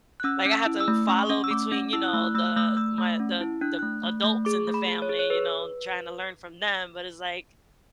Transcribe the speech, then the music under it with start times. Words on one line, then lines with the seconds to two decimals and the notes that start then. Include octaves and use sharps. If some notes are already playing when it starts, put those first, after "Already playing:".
Like, I had to follow between, you know, the my the the adults in the family, you know, trying to learn from them, but it's like
0.20 F#6
0.24 C#4 E6
0.45 C#4
0.52 E6
0.66 E4
0.80 E6
0.88 A3
1.08 C#4 C#6
1.29 C#4
1.44 E6
1.51 A3 D6
1.72 C#4
1.93 E4 E6
2.04 F#6
2.13 A3 E6
2.24 F#6
2.35 A3 E6
2.46 F#6
2.56 A3 E6
2.77 A3 E6
2.98 A3
3.20 C#4
3.41 E4
3.61 D4 F#6
3.79 A3 F#6
4.03 A3
4.24 A3
4.45 G#4 D6
4.67 A3
4.74 B5
4.87 G#4
5.02 C#5
5.09 G#4
5.19 C#5
5.30 G#4 B4